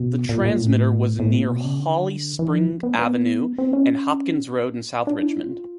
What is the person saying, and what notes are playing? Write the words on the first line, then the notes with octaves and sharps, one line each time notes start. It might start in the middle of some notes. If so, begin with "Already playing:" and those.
The transmitter was near Holly Spring Avenue and Hopkins Road in South Richmond.
Already playing: B2
A#2
A#2
A2
A2
A#2
B2
C#3
D3
E3
F3
B3
B3
C4
C#4
D4
E4
F4